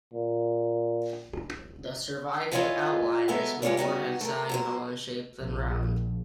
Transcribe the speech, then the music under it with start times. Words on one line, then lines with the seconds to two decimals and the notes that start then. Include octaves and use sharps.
The surviving outline is more hexagonal in shape than round.
0.13 A#2
2.52 E4 F4 C#5 D#5 F5 G#5
3.28 F#3 G#3 B3 A4 B4 E5
3.62 G#3 F4 F#4 B4 C#5 D5
3.77 G3 B3 D#4 F#4
4.21 A3 A#4
4.49 B2 F#3 C5
5.41 A#1